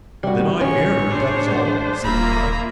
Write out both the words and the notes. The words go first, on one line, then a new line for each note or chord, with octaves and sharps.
"Then I erred, that is all," said Nero.
C3 G3 F#4
A1 C#4 C#5
G#3 D4 C5
D#1 A#3 F4 E5 A#5 B5